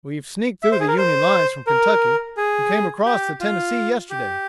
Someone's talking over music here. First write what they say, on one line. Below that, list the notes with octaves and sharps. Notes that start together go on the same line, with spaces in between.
We've sneaked through the Union lines from Kentucky, and came across the Tennessee yesterday.
E5
C5
G#4
A#4
C5
A#4
G#4
G4
F4
G4